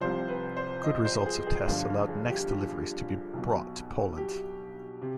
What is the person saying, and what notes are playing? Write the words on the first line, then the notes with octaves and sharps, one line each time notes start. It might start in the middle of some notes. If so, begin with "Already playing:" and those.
Good results of tests allowed next deliveries to be brought to Poland.
C2 C3 F3 C5
B4
C5
D#5
C5
G#4
G#4
G1 G2 D3 F3 F4
G#4
G4
G4
B1 B2
G4
C3